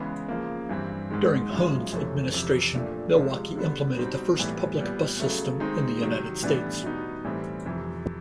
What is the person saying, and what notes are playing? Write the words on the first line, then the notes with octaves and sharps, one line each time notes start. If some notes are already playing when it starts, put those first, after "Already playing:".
During Hoan's administration, Milwaukee implemented the first public bus system in the United States.
Already playing: C#3 E3 G#3 B3
C#3 F3 A#3
G2 E3 G3 C4
G#2 D#3 G#3
F#2 C#3 F3 G#3
F2 C3 E3 A3 C#4
F2 C3 E3
A#2 F3 A3 D4
C3 F3 G#3
D3 G3 B3
B2 G3 C4 D#4
A2 E3 G3 B3
A#2 G3 B3
C#3 F#3 A3
D#3 G#3 C4 D#4
C3 D#3 F#3
A2 E3 G3 B3 D4
B2 G3 B3 D#4
A2 E3 G3 C4
F2 C3 E3